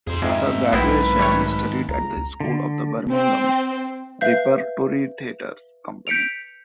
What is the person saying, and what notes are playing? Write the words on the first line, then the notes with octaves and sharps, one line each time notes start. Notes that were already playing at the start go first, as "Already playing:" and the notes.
After graduation he studied at the school of the Birmingham Repertory Theatre Company.
F2 G#4 C5
F2 G#2 D#3 G#3 C4 E5
B1 B3 C4 E4 B4
G3 A3 C#5
C#2 A#5
D3
C4
B4 E5 F5 G6
G6 B6 C#7 D7 F7